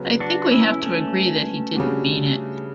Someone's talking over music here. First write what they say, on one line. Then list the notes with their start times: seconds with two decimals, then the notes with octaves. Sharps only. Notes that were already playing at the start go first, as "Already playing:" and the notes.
I think we have to agree that he didn't mean it.
Already playing: C#3 F#3 B3
0.20 D4 F#4
0.51 C#4 E4
0.82 A3 C#4
1.75 C#3 G3 D4 F#4